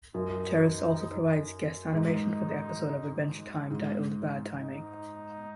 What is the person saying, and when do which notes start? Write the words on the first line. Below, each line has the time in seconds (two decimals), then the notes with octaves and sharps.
Terrace also provided guest animation for the episode of "Adventure Time" titled "Bad Timing".
0.14 F#2 D#4
1.92 G#2 D#4
3.70 G#2
4.60 D#4